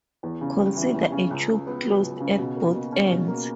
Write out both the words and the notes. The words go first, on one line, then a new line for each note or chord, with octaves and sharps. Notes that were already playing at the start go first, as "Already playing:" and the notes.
Consider a tube closed at both ends.
E2
C#3
G3
E3
E2
C#3
C#2
C#3
B3
F#3
C#2
C#3
B2
A#3
B2
C#4
B2
A#3